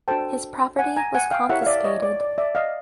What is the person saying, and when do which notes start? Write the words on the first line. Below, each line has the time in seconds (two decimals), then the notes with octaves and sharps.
His property was confiscated.
0.08 D4 F#4 A4 C5 G5 A5
0.79 F#5 G#5
0.96 G#5 A#5
1.15 F#5 G#5
1.31 F5 G5
1.49 E4 G4 A#4 C#5 E5 F#5
1.62 F5
1.67 D5 E5
1.84 C#5 D#5
2.02 D5
2.21 D5
2.38 D5 E5
2.55 D#5 F5